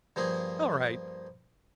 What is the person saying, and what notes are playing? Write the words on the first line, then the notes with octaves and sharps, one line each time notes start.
"All right."
G2 F3 A#3 G#4